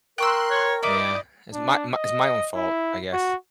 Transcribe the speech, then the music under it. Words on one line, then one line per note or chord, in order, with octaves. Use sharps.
Yeah, it's my my it's my own fault, I guess.
A#4 G5 C6 C#6 E6 F#6
C#5
D#4 E4 D5 D#5 D6
D4
D#5
E4
F#4